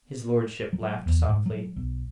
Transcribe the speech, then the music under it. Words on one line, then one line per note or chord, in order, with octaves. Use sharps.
His lordship laughed softly.
F#3
E2
G#2
F#3
B1